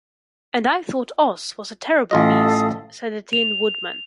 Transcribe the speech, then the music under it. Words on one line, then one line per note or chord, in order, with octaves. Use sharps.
"And I thought Oz was a terrible Beast," said the Tin Woodman.
A1 F4 A4 D#5 F5 D#6
F7